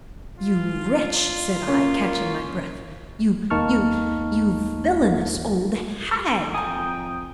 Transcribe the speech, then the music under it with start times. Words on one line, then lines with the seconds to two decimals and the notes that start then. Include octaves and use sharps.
"You wretch!" said I, catching my breath--"you--you--you villainous old hag!"
0.38 F4
1.68 A#3 C#4
3.50 D#2 A#3 D#4 A5 C#6 F6
6.55 F2 G5 G#5 A#5 D#6